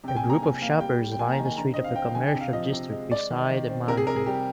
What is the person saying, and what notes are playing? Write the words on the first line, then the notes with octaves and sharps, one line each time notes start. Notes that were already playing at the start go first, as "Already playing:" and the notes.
A group of shoppers line the street of a commercial district beside a mountain.
C3 G5
G#5
A#3
A#5
C3 G#5
A#3 F5
G3 G5
G3
G5
A#3 G#5
A#5
D#3
G#5
D3 A#5
C4 D#5
F5
C4 G5
D3 G#5
G5
C3
F5
F3 D#5
C3
G#3
G#3 D5
D#3
D#3
C4
C3 A#4
G#4
C3 A#4
G#4
G3 G4